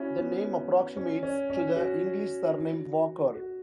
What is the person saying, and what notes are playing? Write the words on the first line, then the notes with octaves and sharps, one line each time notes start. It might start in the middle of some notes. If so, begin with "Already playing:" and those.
The name approximates to the English surname "Walker".
Already playing: C#4 E4 F#4
B3
C#4
C#4
C#4
F#4
F#4